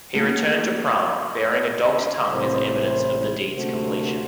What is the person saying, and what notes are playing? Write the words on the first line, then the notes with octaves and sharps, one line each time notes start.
He returned to Priam bearing a dog's tongue as evidence of the deed's completion.
A3 A#3 D#4 F#4 A4
A1 A2 C3 C4 E4 C5
D2 C3 A3 F#4 C5